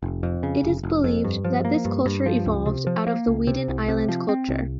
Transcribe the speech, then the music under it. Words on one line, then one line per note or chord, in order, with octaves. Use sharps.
It is believed that this culture evolved out of the Weeden Island culture.
F1
F2
C#3
F1
F1
F2
G2
F3
A#3
G2
G2
F3
C#2
C3
F3
A#3
C#2
C3
C2
C3
F3
C4
C2